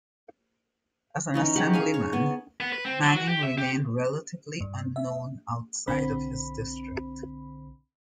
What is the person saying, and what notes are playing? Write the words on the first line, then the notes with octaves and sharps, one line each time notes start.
As an Assemblyman, Manning remained relatively unknown outside of his district.
E3 C#4 D#4
G4 G#4 F#5
G#4 F5 G#5
C#5
B3
B3
B4
C4
F#3
F#4
G4
E5
G4
G2
E5
B1 D3 C4 B5